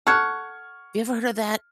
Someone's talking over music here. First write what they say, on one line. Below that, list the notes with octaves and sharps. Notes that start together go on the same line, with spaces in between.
you ever heard of that
A4 F#5 C#6 F6 G#6